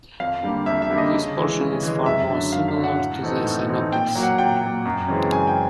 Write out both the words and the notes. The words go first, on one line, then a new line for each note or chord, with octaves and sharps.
This portion is far more similar to the synoptics.
F2 F5
D3 G3 A#3
F2 E5
E5
D3 G3 A#3
D#5
C#3
E3 G#3
C#3
E3 G#3
F#2 E5
D3 F#3
F#2 F5
F5
D3 F#3
F#5
A2
E3 A3 C4 D#4
A2
E3 A3 C4 D#4
A#2 G5
F#3 A#3
F#5
A#2 G5
F#3 A#3
F#2
C#3 E3 G#3 C4
F#2 G#5
G5